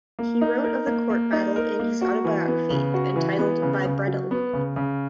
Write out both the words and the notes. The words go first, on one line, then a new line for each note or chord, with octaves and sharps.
He wrote of the court battle in his autobiography, entitled "By Bread Alone".
A#3
D#4
A#4
A#3
A#3
D#4
A#4
A#3
F#4
E3
B3
C#3
F#4
E3
B3
C#3
C#3
F#3
B3
C#3
C#3